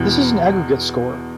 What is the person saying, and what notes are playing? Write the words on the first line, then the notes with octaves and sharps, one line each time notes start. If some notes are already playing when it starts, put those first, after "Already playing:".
This is an aggregate score.
Already playing: E2 B2 E4